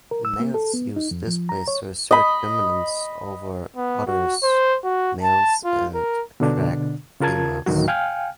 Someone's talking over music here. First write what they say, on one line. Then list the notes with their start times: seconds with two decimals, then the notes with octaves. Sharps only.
Males use displays to assert dominance over others males and attract females.
0.11 A#4
0.25 E6
0.40 A#3
0.54 A4
0.74 B3
0.96 D#4
1.11 F2
1.27 F3
1.49 A#5
1.68 C#5
2.11 D#5 B5
3.76 B3
4.07 F#4
4.43 C5
4.84 F#4
5.23 A5
5.65 F4
5.94 A#4
6.40 B2 D3 D4
7.20 C#3 F4 A#4 A5 G#6
7.66 D2 A2 D#3 F#3 F#4
7.88 F5 G5 G#5 F6